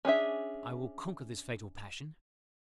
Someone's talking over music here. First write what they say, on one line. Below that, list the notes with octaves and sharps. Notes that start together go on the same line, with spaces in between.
I will conquer this fatal passion.
C#4 D4 G#4 E5